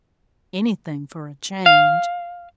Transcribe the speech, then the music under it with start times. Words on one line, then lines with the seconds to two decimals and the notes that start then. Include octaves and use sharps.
Anything for a change.
1.66 F5